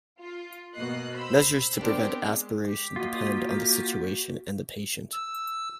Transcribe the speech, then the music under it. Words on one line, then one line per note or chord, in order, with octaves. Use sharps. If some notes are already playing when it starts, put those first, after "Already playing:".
Measures to prevent aspiration depend on the situation and the patient.
F4
B2 A#3 D#5 F#6 C7
C5 B5 E6
B3 C4 D4 G4 A#4
G#3
G4
A#3 F4 F#4 D#5
E6